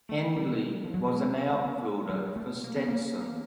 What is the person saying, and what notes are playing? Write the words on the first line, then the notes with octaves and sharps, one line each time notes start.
Hendley was an outfielder for Stetson.
A3
G3
F3
F#3
G#3
A#3
B3
F#3
G3
G#3
A3
A#3
B3
A#3
A#3